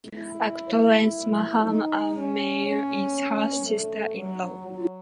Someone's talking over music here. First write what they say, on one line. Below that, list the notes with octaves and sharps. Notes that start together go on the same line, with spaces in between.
Actress Maham Aamir is her sister in law.
E4
D#4
C#4
C#4
A3
F#3
F#3